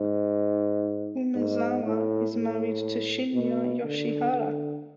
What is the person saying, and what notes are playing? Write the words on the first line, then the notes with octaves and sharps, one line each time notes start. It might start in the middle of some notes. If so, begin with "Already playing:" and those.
Umezawa is married to Shinya Yoshihara.
Already playing: G#2
G#2
A2
A2
B2
D3
D3